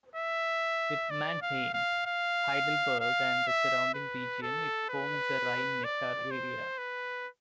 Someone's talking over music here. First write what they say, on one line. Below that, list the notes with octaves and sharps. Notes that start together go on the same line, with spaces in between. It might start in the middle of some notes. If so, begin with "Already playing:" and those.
With Mannheim, Heidelberg and the surrounding region, it forms the Rhine Neckar Area.
E5
D5
F5
F5
F5
F5
E5
B4
A4
B4
D5
C5
B4